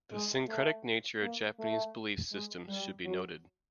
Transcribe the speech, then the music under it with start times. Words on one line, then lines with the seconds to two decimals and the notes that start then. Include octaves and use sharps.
The syncretic nature of Japanese belief systems should be noted.
0.12 G#3
0.48 A3
1.22 A#3
1.59 A3
2.32 G#3
2.68 G3
3.04 F#3